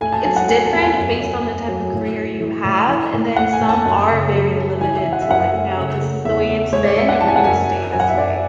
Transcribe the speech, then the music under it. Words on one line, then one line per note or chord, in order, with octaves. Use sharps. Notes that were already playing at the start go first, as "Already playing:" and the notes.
it's different based on the type of career you have, and then some are very limited to, like, "No, this is the way it's been, and we're gonna stay this way."
A3 G#5
A5
F#3 G#5
F#5
A3 G#5
A5
E2
G#5
F#2
F#2
A3
F#3
A2
A2
E3
A2
E3
A2
A3 F#5
G#5
A2
A5
F#2
C#3
F#3
F#3
E3 G#5
E5
E3
F#5
E5
F#2 F#5
A3
C#3
A3
E2 E5
A3
G#3 C#5
D5
G#3 E5
F#5
E3 A5
G#5
F#5
F#2 G#5
F#2
F#2 G#5
F#5
E5
F#2 D5